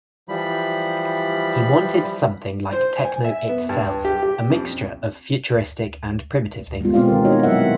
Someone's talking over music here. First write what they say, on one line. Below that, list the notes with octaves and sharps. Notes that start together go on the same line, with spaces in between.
He wanted something like techno itself, a mixture of futuristic and primitive things.
E3 F3 G3 B5
C5
G#5
E5
B3
G2
G4
G4
F2
G3 G#3 B3 F4
B2 A3 C4 F4 D5 F5
D#3 A#4
D#4 E4 F#4 C#5 D#5
A#2 F#3 A#4 E5 F#5